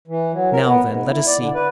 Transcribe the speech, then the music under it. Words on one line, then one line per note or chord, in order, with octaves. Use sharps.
Now, then, let us see.
E3
F#3
A#4
B3
G#2
E4
D5
D3
B4